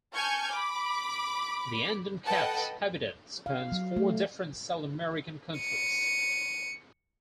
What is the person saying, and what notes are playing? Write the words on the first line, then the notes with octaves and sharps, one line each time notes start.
The Andean cat's habitat spans four different South American countries.
G#5 A5 C#6 F6 G6 G#6
B5 D6
A4 B4 D#5 F#5 G5 A5
F5
F#3
A3
C#7 D#7